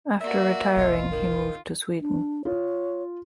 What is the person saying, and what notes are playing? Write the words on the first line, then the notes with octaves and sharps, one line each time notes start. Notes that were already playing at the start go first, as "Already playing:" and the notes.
After retiring he moved to Sweden.
A#3 F#4 D5 E5
F1 B1 F4 D#5
D#3 A#4
D4
F4 C#5